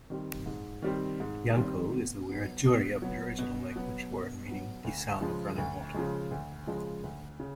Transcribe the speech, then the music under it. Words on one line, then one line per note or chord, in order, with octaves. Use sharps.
Yanco is a Wiradjuri aboriginal language word meaning "the sound of running water".
D#3 G3 C4
G#2
D#3 G3 C4
G#2
D#3 G3 C4
B2
F#3 B3
B2
F#3 B3
B2
F#3 B3
B2
F#3 B3
D2
C#3 F3 G#3
D2
C#3 F3 G#3
D2
C#3 F3 G#3
D2
C#3